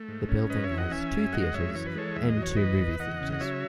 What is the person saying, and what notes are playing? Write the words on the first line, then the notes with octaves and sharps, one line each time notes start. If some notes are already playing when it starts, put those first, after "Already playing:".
The building has two theaters and two movie theaters.
Already playing: A3
G#2
C#4
F#2 B4 D#5
C#5 E5
E3
D#5 F#5
C#4 E5 G#5
F#2
G#3 D#5 F#5
F#2 C#5 E5
E3 C#5
B4
G#3 A4 C#5
E2 E5
D#5
F#3
C#5
E2 B4 D#5
E2
E2 D#5 F#5
C#3
F#5
F#3 C#5 E5